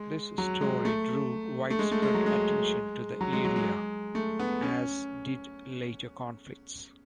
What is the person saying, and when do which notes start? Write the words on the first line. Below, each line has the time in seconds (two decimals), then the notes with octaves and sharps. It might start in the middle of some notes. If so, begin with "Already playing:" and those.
This story drew widespread attention to the area, as did later conflicts.
Already playing: G#3
0.38 F#3
0.61 G#3
0.85 A3
1.70 A3
1.79 G#3
1.91 A3
2.02 G#3
2.14 F#3
2.26 G#3
3.21 F#3
3.33 G#3
3.44 F#3
3.56 G#3
4.15 A3
4.39 B3
4.62 C#4